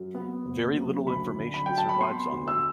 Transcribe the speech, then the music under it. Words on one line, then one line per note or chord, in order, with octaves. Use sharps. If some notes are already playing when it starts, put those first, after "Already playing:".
Very little information survives on them.
Already playing: F#2 F#3
B3
F#1
F#2
D2 B5
D3
B5
F#3 G5
A5
B5
B3 C6
D2
E6